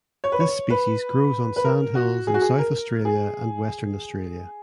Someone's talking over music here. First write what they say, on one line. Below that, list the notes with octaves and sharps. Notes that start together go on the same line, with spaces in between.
This species grows on sand hills in South Australia and Western Australia.
C#5
B4
C#5
B4
B4
A#4
F#4
G#4
F#4
G#4
A#4
G#4